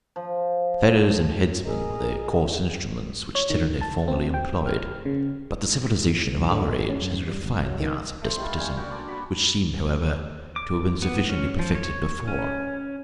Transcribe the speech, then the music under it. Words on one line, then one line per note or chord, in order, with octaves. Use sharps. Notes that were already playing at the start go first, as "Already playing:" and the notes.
Fetters and headsmen were the coarse instruments which tyranny formerly employed; but the civilization of our age has refined the arts of despotism which seemed, however, to have been sufficiently perfected before.
F3
G#4 A#4 D#5 A#5
C#5
D#3
A5
C4
G5
F6
C#3
B1
D3
B2
C#4
F#2
G3
G1
F#3
D#3
A3 C5
D#3 G3 F4
D3 G3 C#4 G#5
A#2 F#4 G5
D4 D5
F#4 B5
D6
B3
C#4
F3
C#5
C#4